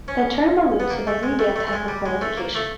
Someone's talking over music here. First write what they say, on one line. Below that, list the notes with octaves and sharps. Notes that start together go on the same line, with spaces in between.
The term alludes to the "Redan" type of fortification.
C#4
B3
A#3
A3
G#3
A3
A3
A3
G#3
G3
G#3
A3
A#3
A3